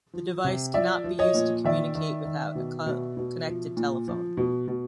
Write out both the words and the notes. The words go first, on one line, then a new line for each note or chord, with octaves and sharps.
The device cannot be used to communicate without a connected telephone.
F3
C3
F3 D5 E5
F3
C#5 D#5
A#2
D#3 D5 E5
D#3
D#3
B2
B2
B2
F3
A#2
F3
B2
B2